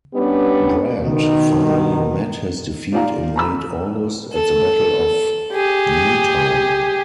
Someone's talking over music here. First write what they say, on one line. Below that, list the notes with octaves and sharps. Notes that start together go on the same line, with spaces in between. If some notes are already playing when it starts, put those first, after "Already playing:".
Brant finally met his defeat in late August at the Battle of Newtown.
G3 B3 C#4 D4 G4
B2 D#3
D#4 F4 G4 D5 F5 A#5
A#5 B5 E6
A4
G4 G#4